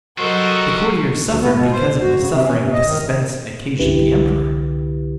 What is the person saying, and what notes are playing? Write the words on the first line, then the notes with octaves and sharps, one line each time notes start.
The courtiers suffered because of the suffering the suspense occasioned the Emperor.
F#3 G3 F#4 A4 A#4 C5 D#5
D2
B3
B2
C5
D2
F#4
C#3
C3
C#4
C3
D#5
D#3
C2 D3 E4 G4 B4